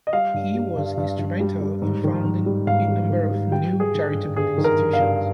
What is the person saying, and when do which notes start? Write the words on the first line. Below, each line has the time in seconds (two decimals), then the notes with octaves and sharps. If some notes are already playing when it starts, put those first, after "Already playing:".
He was instrumental in founding a number of new charitable institutions.
0.07 D#5
0.13 G3 F5
0.34 G2
0.55 G3
0.77 G2
0.97 G2
1.19 G2
1.40 G3
1.61 G3
1.82 G#2
2.04 D#3
2.24 G#2
2.46 G3
2.67 G#2 F5
2.88 G3
3.10 D#3
3.30 G3
3.51 G3 G5
3.73 G3
3.80 G#4
3.94 D#3
4.15 G2
4.36 G2 G#4
4.58 D#3
4.64 A#4
4.79 G2
4.93 F5
4.99 G2